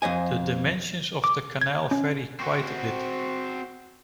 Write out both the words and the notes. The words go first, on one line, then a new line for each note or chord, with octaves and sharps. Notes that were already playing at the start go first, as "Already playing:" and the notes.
The dimensions of the canal vary quite a bit.
F2 C5 D#5 G#5
D6
G#6
C#4
C4 F#4